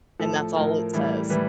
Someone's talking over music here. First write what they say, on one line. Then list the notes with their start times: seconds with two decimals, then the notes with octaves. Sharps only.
and that's all it says.
0.20 A2 F3 A4
0.56 A2 F3 A#4
0.94 A2 E3 G3
1.30 A2 E3 G3 B4